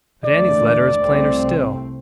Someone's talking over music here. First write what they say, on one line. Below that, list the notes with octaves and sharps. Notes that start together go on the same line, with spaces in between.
But Annie's letter is plainer still.
E2 D3 A3 D5
C2 C3 A3 C4